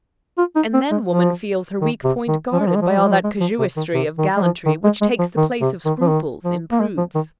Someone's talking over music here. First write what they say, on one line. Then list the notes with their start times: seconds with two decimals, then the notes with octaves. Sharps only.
And then woman feels her weak point guarded by all that casuistry of gallantry which takes the place of scruples in prudes.
0.38 F4
0.56 D#4
0.74 C4
0.91 G#3
1.09 F3
1.81 D#3
2.04 C3
2.28 D#3
2.53 F3
2.60 G#3
2.67 F3
2.75 G#3
2.82 F3
2.90 G#3
2.97 F3
3.04 G#3
3.12 F3
3.24 G#3
3.41 F3
3.59 C3
3.77 D#3
3.94 C3
4.19 D#3
4.37 G#3
4.42 F3
4.66 D#3
4.84 G#3
5.01 G#3
5.19 F3
5.37 D#3
5.61 C3
5.85 D#3
6.01 F3
6.08 D#3
6.44 F3
6.72 A#3
6.80 G#3
6.97 F3
7.15 D#3